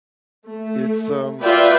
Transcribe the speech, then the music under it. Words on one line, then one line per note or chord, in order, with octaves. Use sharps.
it's, um,
A3
F4 B4 D5 E5 G5